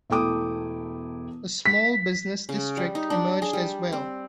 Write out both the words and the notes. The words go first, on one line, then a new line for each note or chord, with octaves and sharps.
A small business district emerged as well.
E1 A3 E4 G5 D6 D#6
B6
C#3
G3
D#4
D4
G#4
G3
C4